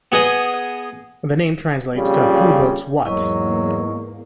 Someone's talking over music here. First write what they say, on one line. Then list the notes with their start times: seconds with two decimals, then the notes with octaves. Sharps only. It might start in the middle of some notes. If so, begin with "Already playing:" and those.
The name translates to "Who Votes What".
0.12 B3 G#4 D#5
1.96 F2 A#2 C#3 G3
3.05 E2 G#2 F#3 A#3 E4 D#5 C#6